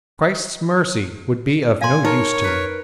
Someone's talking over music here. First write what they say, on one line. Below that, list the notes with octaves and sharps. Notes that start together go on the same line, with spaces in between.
Christ's mercy would be of no use to me.
F5 G#5 C6
D#4 A#4 C#5
A#4 B4